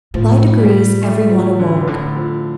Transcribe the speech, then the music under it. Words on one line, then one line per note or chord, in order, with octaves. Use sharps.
By degrees every one awoke.
A2 F3
G3
A3
F3
D3
G2
A2 D3
F3